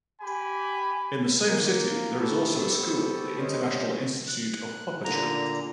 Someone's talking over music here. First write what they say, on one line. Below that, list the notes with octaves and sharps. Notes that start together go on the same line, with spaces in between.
In the same city there is also a school: the International Institute of Puppetry.
G4 G#5 B5
A#3
B3 C4 F#4 G4 A4
G2 G3 C#4 C5 C#5 D#5
F#6
A#2 D3 A#5